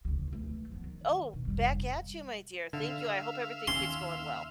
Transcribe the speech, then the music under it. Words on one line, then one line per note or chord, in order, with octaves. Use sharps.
Oh, back at you, my dear, thank you, I hope everything keeps going well.
D2 C#3
E3 A3
F3 B3
D#3
B2 D#3
F1 G3
D3 E5 F5
D#2 D#3 C#4 C6